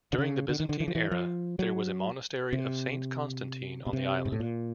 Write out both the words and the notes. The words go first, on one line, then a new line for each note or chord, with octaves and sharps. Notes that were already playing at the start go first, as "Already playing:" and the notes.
During the Byzantine era, there was a monastery of Saint Constantine on the island.
D3
C#3
D3
D#3
D3
E3
F3
E3
F3
F#3
C3
B2
C3
G#2
A2
A#2